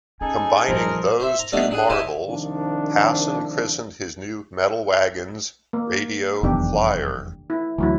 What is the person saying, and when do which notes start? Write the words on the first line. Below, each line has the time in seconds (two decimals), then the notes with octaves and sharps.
Combining those two marvels, Pasin christened his new metal wagons "Radio Flyer".
0.21 C#4 D#4 G#4 A4 G#5
0.68 A#2 F3 G3 A#4
1.20 C5 E5
1.39 A#5
1.52 G3 A3 B3 D4 D#4
1.71 D4 G#4 F#5
1.90 E4 G4 C5 D#5 E5 A5
2.27 C2 D#3 F3 D4
5.73 A#3
6.43 F1 B1 E2 D#3 D4 G4
7.50 E4
7.78 D2 E3 F#3 E4